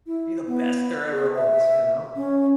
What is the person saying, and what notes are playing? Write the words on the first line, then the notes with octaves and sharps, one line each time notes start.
Be the best there ever was, you know?
E4
B3
G#4
E5
C#4